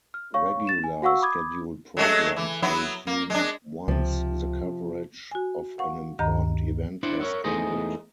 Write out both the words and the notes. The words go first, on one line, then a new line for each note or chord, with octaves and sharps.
Regular scheduled programs resume once the coverage of an important event has ended.
F6
C#5 F5 C#6
A6 E7
G#5
F#4 F5 F#5 C#6 E6
B5 D6 D#6 G#6
F#3 G#3 A3
E3
F#3 B3 E4
A#3
G#3 D4
C#2 C3 F3
F#4 G#5
F5 F#5 C#6
D2 G2 D#3 D#5 A#5 G6
D4 E4 C5 D5 F#5
A#4 C#5 D5 E5 F#5
E2 A3 D#4 G#4 C5 D#5